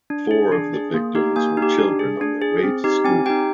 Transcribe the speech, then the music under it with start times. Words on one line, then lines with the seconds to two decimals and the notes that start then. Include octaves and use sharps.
Four of the victims were children on their way to school.
0.10 D4
0.31 G#4
0.52 D4
0.74 G#4
0.94 A#3
1.15 D#4 G4
1.36 A#3 G#5
1.57 D#4
1.62 G4
1.78 D4
1.99 G#4
2.21 D4
2.42 G#4
2.63 C4
2.84 D#4 G4
3.05 C4 G#5
3.26 D#4 G4 G5